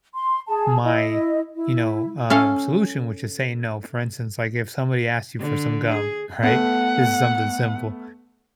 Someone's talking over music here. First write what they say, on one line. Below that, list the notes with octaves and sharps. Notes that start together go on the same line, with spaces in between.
"my," you know, um, "solution," which is saying no. For instance, like, if somebody asked you for some gum, right? This is something simple,
C6
G#4 A5
E4 D#5
E4
C#4 A4 F5
D3
G#4
A3 B3 F#5